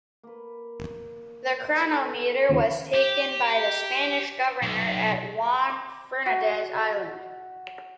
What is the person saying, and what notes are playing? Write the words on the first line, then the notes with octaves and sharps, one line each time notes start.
The chronometer was taken by the Spanish governor at Juan Fernandez Island.
A#3 B4
A4
D#2 C#3 F3 C#5 G#5
G4
B1
D6
F#4